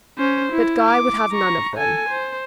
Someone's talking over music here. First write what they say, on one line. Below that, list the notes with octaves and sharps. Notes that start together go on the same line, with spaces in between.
But Guy would have none of them.
C#4 C5
E4
D6
A#5 C#6
A4 G#5
C5